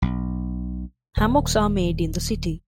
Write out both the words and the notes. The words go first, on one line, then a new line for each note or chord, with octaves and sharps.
Hammocks are made in the city.
B1
D#1